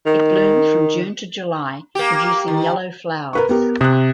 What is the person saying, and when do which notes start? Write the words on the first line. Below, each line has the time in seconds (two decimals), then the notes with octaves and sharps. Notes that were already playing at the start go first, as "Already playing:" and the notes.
It blooms from June to July producing yellow flowers.
0.06 D#3
1.95 A#3 G4
2.48 D#3
3.33 A#4 B4 C#6
3.49 B3 G4 A#4
3.81 C3 D#6 F#6